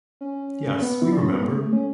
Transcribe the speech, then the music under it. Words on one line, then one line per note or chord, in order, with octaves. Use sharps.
Yes, we remember.
C#4
B3
E4
D4
C#4
B3
A3
A3
C#4